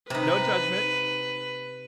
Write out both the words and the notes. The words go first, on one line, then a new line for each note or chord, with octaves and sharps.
No judgment.
C3 D#4 B4